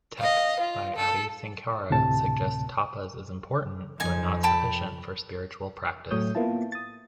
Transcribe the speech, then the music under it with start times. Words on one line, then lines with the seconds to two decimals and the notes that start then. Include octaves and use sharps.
Texts by Adi Sankara suggests "Tapas" is important, but not sufficient for spiritual practice.
0.18 D#5 F5
0.60 F4
0.96 A4
1.90 D2 A2 C3 A5
4.00 F2 D#4 G#5
4.43 G5 A5 B5
6.11 A2 F#3 A3 C#5 D#6 G6
6.35 A#3 B3 E4 F4 A5
6.72 D#6 A6